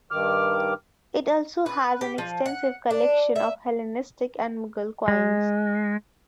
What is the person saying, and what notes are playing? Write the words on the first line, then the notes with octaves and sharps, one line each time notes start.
It also has an extensive collection of Hellenistic and Mughal coins.
G2 D#3 D6 F6
B4
G4
F3
F#5
D4
E5
G#3